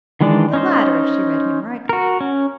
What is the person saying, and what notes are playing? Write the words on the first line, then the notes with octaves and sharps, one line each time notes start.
The latter, if she read him rightly.
D#3 E3 G#3 D4 D5
C#4 D#4 C5
F#4 A#4
C#4